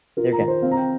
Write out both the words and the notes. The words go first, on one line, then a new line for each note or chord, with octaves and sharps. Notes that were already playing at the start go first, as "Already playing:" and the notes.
They're done,
F4 A#4
A#5
D#3
C5
C4 F5
A#5
G5